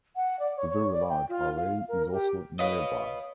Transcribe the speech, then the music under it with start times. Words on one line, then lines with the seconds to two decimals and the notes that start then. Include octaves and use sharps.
The Very Large Array is also nearby.
0.16 F#5
0.40 D5
0.57 C#5
0.69 C#5
0.92 D5
1.09 G5
1.29 F4
1.56 F5
1.89 A#4
2.12 G4
2.59 B4 C#5 D#5 F5